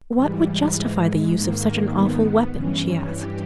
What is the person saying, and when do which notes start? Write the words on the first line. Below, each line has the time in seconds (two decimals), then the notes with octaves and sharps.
"What would justify the use of such an awful weapon?" she asked.
0.14 G#2 E3 G3
0.75 G#3
1.35 G#2 D#3 A#3
1.94 B3
2.55 G2 E3 C#4
3.14 G4